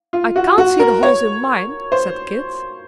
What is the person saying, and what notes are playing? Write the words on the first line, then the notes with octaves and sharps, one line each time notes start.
"I can't see the holes in mine," said Kit.
F4
F#4
F#4
A#4
C#5
C5